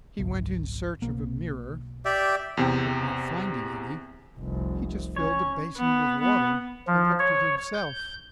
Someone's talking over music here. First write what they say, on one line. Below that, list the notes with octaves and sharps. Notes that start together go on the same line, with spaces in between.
He went in search of a mirror, but not finding any, he just filled a basin with water and looked at himself.
G#1 C#2 F#2
B1 A#3
G4 D5 E5
E2 C3 G5
F1 C2
C#4 C#5
B3
B3
F3
C#5
G6